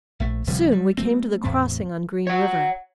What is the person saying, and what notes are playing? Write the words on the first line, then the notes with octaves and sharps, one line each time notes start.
Soon we came to the crossing on Green River.
A#1 A3
D1 C3 F3 G3
G3
F#3 A3 C4
E2 A2 A3 C4
C#5 F#5